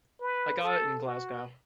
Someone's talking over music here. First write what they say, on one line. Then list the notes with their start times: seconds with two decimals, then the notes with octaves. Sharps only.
I got it in Glasgow.
0.21 B4
0.63 A4
1.05 F#4